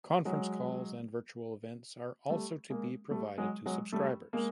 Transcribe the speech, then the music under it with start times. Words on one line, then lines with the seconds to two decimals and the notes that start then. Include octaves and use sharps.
Conference calls and virtual events are also to be provided to subscribers.
0.25 F#3 G#3
2.30 G3 A3
2.70 G#3 A#3
3.11 G3 A3
3.38 F#3 G#3
3.66 F#3 G#3
3.92 G3 A3
4.33 G#3 A#3